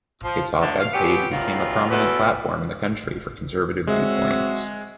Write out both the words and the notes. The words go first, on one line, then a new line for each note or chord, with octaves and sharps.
Its op-ed page became a prominent platform in the country for conservative viewpoints.
F3
G2 D3 F3 F#3 A3 D4
F5
A#2 C#3 F#3 B3 G4
E2 D#3 F3 F#3 F4
E2 B2 A4 B4
G#3 C4 F#4 C#5 E5